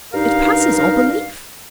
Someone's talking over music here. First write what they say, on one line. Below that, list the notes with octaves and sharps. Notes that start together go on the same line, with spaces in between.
It passes all belief.
G2 D#4 A#4 F5